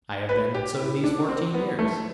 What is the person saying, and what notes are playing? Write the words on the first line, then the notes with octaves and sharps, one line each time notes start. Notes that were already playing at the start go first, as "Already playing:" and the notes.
"I have been so these fourteen years."
B4
G4
E4
D4
C4
B3
A3